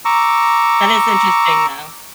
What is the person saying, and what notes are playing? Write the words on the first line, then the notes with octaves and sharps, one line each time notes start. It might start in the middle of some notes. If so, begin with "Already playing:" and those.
that is interesting, though.
A#5 C#6 D6 E6